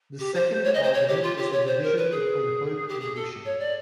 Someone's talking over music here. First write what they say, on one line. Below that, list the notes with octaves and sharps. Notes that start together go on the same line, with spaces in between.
The second argument is the division between hope and wishing.
G4
C5
C#5
D#5
C5
C#5
G4
F4
G4
C#5
C5
A#4
B4
G#4
G4
G#4
A4
C#5
D5